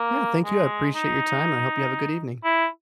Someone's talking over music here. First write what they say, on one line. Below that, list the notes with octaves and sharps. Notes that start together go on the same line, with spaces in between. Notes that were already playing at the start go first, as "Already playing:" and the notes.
Yeah, thank you. I appreciate your time, and I hope you have a good evening.
Already playing: A#3
G#3
D#4
E4